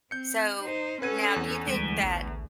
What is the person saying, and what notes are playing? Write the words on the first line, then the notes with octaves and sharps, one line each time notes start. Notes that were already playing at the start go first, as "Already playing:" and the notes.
So, now, do you think that
C4 G6 C#7
D#4 C5
C#4 A4 B4 F#5 G#6 D#7
E2
D2 E3 G3 G#3
A1